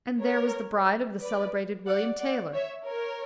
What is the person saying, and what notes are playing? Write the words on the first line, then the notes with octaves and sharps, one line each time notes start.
And there was the bride of the celebrated William Taylor.
A#4 C#5
B4 D5
D5 F#5
D5 F#5
C#5 E5
A#4 C#5